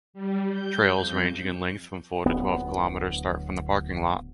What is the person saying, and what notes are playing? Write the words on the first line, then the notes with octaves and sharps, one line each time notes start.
Trails ranging in length from four to twelve km start from the parking lot.
G3
G6
F2
D1 B3